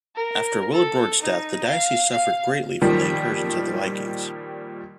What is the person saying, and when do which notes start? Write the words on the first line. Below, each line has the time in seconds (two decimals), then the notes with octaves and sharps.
After Willibrord's death the diocese suffered greatly from the incursions of the Vikings.
0.15 A#4
0.73 A4
1.20 D#4
1.65 F5
2.11 F5
2.81 A#2 D#3 F3 G3